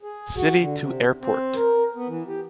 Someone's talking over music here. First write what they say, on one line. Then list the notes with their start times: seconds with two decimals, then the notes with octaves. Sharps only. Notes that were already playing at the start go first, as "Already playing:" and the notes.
City to airport.
0.03 G#4
0.37 F#4
0.59 D3
0.78 C3
1.21 C4
1.55 A#4
1.95 B3
2.08 E3
2.27 G4